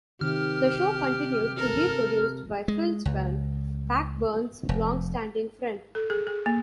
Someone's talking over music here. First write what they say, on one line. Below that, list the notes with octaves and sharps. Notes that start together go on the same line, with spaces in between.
The show continued to be produced by Phil Swern, Blackburn's long-standing friend.
C3 D#3 G4 F6
A4 A#4
G#3
C#2
F1
A4
G#4
G#4
A#3